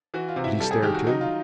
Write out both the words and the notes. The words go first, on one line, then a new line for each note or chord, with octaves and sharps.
"Did he stare too?"
E3 F#4
F4
C3
E4
G3 A4
G#4
D#3 G4
F#4
F#3 D#4
F4